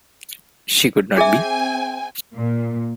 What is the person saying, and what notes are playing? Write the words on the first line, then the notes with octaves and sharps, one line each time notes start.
She could not be.
C4 G#4 E5 G5 G#5
A#2